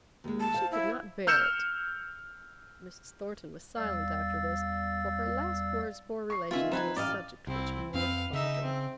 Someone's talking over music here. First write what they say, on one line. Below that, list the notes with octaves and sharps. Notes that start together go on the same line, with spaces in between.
She could not bear it.' Mrs. Thornton was silent after this; for her last words bore relation to a subject which mortified her.
D#2 G#3
A5
C5 F5
E4
E6 F6 G6 C#7 E7
E2 G3 D5 F5 E6 A6
C#6 C7
D#3 B3 F4 G#4 E5
F3 C4 D#4 B4 G#5 E7
A1 D5 D#5 F5
C2 C4 E4
F2 C4 B4 F5
C#3 D#4 E5
C4